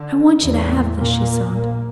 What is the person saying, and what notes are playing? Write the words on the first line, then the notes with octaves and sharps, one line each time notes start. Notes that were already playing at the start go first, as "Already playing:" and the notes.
"I want you to have this," she sobbed.
Already playing: D3
A1 E2 A2 E3
A#2 A#3
A#1 A#2